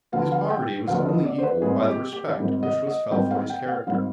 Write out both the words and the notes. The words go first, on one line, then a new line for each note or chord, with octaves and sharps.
His poverty was only equalled by the respect which was felt for his character.
D2 D3 F3 B3 F5
F5
G5
D2 D3 F3 B3 F5
D#5
D5
C5
B4
G#1 G#2 G3 G#4
G4
G4
G#1 G#2 G3
D#5
D#5
G#1 G#2 G3 G5
F5
G5
F5
G#1 G#2 G3 F5